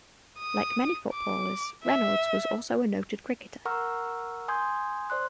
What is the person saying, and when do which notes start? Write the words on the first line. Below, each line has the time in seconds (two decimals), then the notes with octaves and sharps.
Like many footballers, Reynolds was also a noted cricketer.
0.39 D#6
1.13 D6
1.84 E5
3.65 A#4 F#5 A#5 C#6 E6 F6
4.48 G#5 C6 D#6 G6 G#6
5.10 C5 D5 C6 F#6